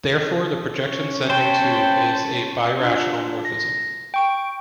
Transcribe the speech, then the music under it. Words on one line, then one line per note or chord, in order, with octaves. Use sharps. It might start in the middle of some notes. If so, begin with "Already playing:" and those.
Therefore, the projection sending to is a birational morphism.
C#4 C#5
C5 G5 A5 B5
D4 F4
A#6
G5 C#6 D7